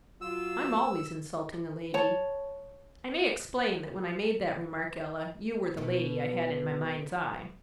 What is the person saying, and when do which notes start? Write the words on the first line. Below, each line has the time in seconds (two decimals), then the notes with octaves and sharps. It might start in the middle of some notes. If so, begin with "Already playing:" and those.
'I'm always insulting a lady.'--I may explain that when I made that remark, Ella, you were the lady I had in my mind's eye.
0.21 F#3 F4 E6
1.94 C#5 A5
5.77 B2 B3